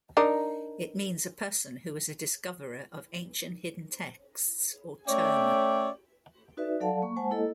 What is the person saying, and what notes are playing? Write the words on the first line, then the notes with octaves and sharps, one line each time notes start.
It means a person who is a discoverer of ancient hidden texts or "terma".
D4 D#4 A#4
A3 C#4 C#5 D5 E5 G5
D#4 F#4 B4 D5 E5
F#3 A4 D5 F5 F#5 A5
A#3 C#6
G#3 C5 F#5 G#5 A5
A#3 E4 A4 D#5